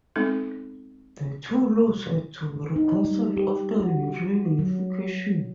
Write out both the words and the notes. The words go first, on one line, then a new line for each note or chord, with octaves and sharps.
The two laws had to be reconciled after reunification.
G#3 B3 C4 D#4 A4
D#4
G3
G4
F#4
F#3